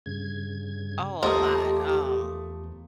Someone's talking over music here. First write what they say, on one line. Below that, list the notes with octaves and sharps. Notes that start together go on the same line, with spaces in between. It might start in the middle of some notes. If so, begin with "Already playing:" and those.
Oh, a lot. Um,
G2 C#3 G#6
E2 F3 A3 A#3 G4 D#5 D#6